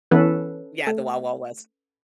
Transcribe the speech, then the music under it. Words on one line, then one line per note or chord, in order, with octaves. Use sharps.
Yeah, the Wild Wild West.
E3 B3 C#4 A4 B4
A3